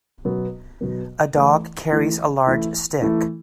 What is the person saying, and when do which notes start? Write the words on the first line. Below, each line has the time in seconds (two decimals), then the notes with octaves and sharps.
A dog carries a large stick.
0.25 B2 F#3 B3
0.81 B2 F#3 B3
1.36 E3 A3 E4
1.91 E3 A3 E4
2.47 E3 A3 E4
3.02 E3 A3 E4